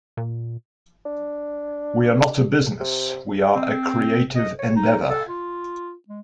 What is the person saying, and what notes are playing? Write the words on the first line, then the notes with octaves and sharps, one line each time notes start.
We are not a business, we are a creative endeavour.
A#2
D4
C3
C4
D#5
C#5
D#4
A4
F4
G#3